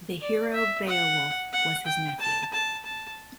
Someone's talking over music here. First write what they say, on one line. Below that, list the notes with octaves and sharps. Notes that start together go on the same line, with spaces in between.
The hero Beowulf was his nephew.
D5
E5
F#5
F#5
G5
A5
A5
A5